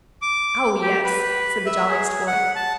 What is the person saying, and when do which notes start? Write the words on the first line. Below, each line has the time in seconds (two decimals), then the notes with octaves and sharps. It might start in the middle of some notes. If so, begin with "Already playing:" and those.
"Oh, yes," said the jolliest boy.
0.22 D6
0.81 G4
1.04 B4
1.66 E5
1.89 G#4
2.27 F#5
2.55 A5